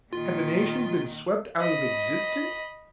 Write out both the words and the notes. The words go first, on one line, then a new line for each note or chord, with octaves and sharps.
Had the nation been swept out of existence?
A#2 D#3 F4
D#5 B5